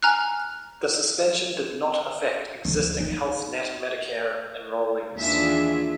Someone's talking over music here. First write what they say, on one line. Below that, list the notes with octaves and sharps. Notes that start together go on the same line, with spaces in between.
The suspension did not affect existing Health Net Medicare enrollees.
G#5 A#5 F6 F#6
D2 F3
D#4
D#2 E3 D4 F4 G#4 E5